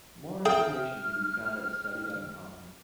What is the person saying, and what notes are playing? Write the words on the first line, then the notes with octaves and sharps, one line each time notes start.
More information can be found at Study dot com.
G#4 E5 G5 F6